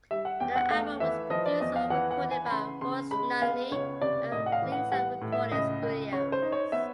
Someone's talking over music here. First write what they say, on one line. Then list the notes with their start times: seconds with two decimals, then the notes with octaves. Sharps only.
The album was produced and recorded by Royce Nunley at Ringside Recording Studios.
0.11 G3 E5
0.25 F#5
0.40 E2 G5
0.56 F#5
0.70 A3 F5
1.00 E3 E5
1.30 F3 D#5
1.46 D5
1.60 E2 D#5
1.76 F5
1.90 E3 F#5
2.11 F#5
2.21 E3
2.31 G#5
2.46 B5
2.51 C#3 C6
2.81 C#3 C6
3.11 G#3 B5
3.41 B3 F5
3.72 C#2 C#5
4.01 C3 D5
4.32 A2 D#5
4.46 F#5
4.52 F5
4.62 E3
4.72 F#5
4.92 G3 F#5
5.21 A2
5.32 E5
5.51 C#2 D#5
5.82 C#2
6.12 C#3 C#5
6.32 C5
6.42 D#4
6.52 C#5
6.72 B3 E5